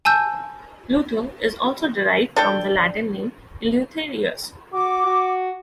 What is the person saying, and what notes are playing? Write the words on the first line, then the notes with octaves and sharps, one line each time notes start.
Luther is also derived from the Latin name "Eleutherius".
G#5 A5 E6 G6
D4 A4 G5
F#4 D6
F#4